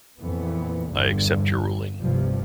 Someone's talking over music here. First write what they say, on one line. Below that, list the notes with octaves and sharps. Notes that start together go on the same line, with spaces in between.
I accept your ruling.
F2 A#2 E3 B3
G1 E2 G2 D3
F1 C2 G2 C3 F3